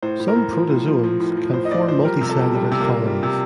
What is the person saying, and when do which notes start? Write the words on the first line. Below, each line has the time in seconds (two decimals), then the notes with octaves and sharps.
Some protozoans can form multicellular colonies.
0.02 A2 C5
0.20 A2
0.28 A#4
0.35 A2
0.52 F3
0.70 A2
0.86 F3
1.03 F3
1.20 A2
1.37 F3
1.53 A2 C5
1.65 D#5
1.71 A2 D5
1.88 F3 C5
2.05 G3 A#4
2.21 C3
2.30 A4
2.39 G3
2.55 G3
2.71 C3
2.80 A#3
2.89 C3
3.06 G3
3.23 C3